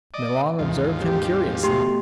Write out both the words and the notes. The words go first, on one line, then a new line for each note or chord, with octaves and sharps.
Milon observed him curiously.
D5 D#5
D#2 G#2 E3 F3
D#3 C4 G4
B2 A3 G4 C6